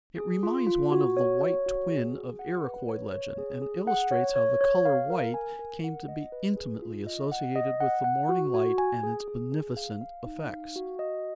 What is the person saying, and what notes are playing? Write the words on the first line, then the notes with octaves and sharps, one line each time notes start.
It reminds one of the white twin of Iroquois legend, and illustrates how the color white came to be intimately associated with the morning light and its beneficent effects.
G#4
F4
F4
F#4
C#5
C#5
F#4
G#4
G#4
F#5
B4
C#5
C#5
G#4
G#4
F#5
C#5
C#5
C#5
F5
A#4
G#5
A#4
F#5
D#5
B4
G#4
F4
D#5
F#5
D#5
F#5
F#5
F#4
F#4
G#5
G#4
G#4
G#4
F5
F5
D#4
F5
F#4
D#5